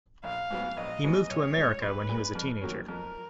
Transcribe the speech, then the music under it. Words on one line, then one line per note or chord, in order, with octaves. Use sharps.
He moved to America when he was a teenager.
A#1 F5
G#2 F#3 B3
A#1 D#5
G#2 F#3 B3
B1 C#5
A#2 G#3
B1 B4
A#2 G#3
F2
D#3 F#3 A#3 C#4
F2 A#4